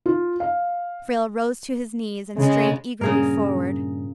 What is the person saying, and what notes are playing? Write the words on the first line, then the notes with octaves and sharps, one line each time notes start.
Frale rose to his knees and strained eagerly forward.
F4
F5
C#3 G#3
G2 A#2 C#3 G#4 A#4